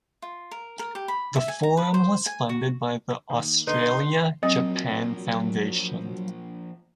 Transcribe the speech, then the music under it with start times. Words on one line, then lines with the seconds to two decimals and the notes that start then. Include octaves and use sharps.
The forum was funded by the Australia Japan Foundation.
0.22 F4
0.51 A#4
0.79 A#4
0.95 G4
1.08 B5
1.36 E5
1.48 G#5
1.63 A#5
1.77 B4
1.94 C5
2.26 G#5
2.49 F#4
3.30 D#3 A#3
3.67 D3 D#4 B4 C6
4.43 F3 F#3 A#3 C4 D#5